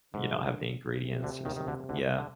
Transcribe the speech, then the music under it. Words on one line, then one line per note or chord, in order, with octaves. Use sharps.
You don't have the ingredients or something. Yeah.
G#2 D3
C3
D2 D3
D#2 D#3
D#3
D2 D3
D2 D3
D3